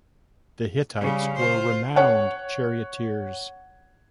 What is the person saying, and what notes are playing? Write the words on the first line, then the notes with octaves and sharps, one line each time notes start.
The Hittites were renowned charioteers.
C#3 G3
F4 C5
C#5 F#5